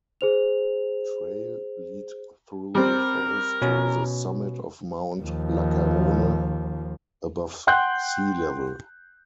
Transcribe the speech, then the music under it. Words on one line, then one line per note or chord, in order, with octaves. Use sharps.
Trail lead through the forest to the summit of Mount Lacerone, above sea level.
G#4 C5 F7
G3 C4 A#4
B2 C#4
D#2 F3
F#5 G5 C6 F#6 G6